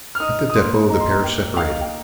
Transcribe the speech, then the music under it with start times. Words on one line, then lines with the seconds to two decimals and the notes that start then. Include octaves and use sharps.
At the depot the pair separated.
0.15 F6
0.20 D#4 D#6
0.50 D#6
0.55 A#3 C6
0.90 D#4 A#5
1.00 C6
1.11 A#5
1.23 A#3 G5
1.57 D#4 F5
1.81 G5